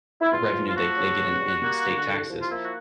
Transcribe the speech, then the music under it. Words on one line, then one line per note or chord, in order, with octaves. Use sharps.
revenue they they get in in state taxes,
E4
E2 F4
F3
F4
A3 F#4
C#3
G2
G3
A#3
D3
C2
F3
F4
A#3 E4
F#4